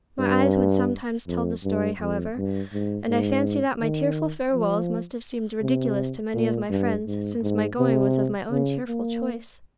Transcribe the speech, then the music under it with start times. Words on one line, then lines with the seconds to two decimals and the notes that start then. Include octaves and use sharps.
My eyes would sometimes tell the story, however, and I fancy that my tearful farewells must have seemed ridiculous to many of my friends, since my going was of my own cheerful choice.
0.19 G2
1.27 F2
1.64 G2
2.00 F2
2.37 G2
2.73 G#2
3.09 G#2
3.81 D#3
4.53 F3
5.62 C3
6.34 A#2
6.70 G2
7.07 G#2
7.42 G#2
7.79 C3
8.51 C#3
8.88 A#3